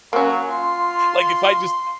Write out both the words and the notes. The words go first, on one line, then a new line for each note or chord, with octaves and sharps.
Like, if I just
F#3 A#3 C#4
F4 C6